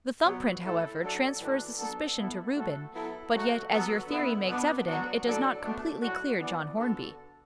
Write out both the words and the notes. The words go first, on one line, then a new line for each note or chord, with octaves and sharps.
The thumb-print, however, transfers the suspicion to Reuben; but yet, as your theory makes evident, it does not completely clear John Hornby.
B2 F#3 B3
A2 A3 E4 A4
F#3 D4 A4
A2 E3 A3 D4 F#4
F#3 B3 D4 A4
B2 B3 E4 A4
A2 A3 F#4 A4
F#3 B3 E4 A4
F#3 A3 F#4
F#3 B3 F#4 A4
D3 B3 E4
B2 B3 D4
F#3 B3 D4 F#4
A2 F#3 D4 A4
B2 A3 D4
A2 F#3 D4 F#4
E3 B3 D4
D3 B3 F#4 A4